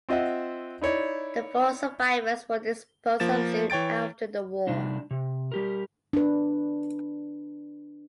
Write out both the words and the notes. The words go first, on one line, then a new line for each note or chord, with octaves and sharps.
The four survivors were disposed of soon after the war.
C4 F4 D#5 E5 F#5
D#4 E4 C#5 D5
F3 A#3 A6 E7
E3 C#5 G5 A6 D7
C3 G3 D4 D#4
C3
G3 G4 A#4
D4 B4